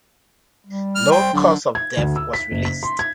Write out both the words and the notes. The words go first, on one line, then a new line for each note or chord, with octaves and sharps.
No cause of death was released.
G3
F6
C5 G5
D3 F#3
G#6
D2
E6
B6
F#1
B6
C6
G#6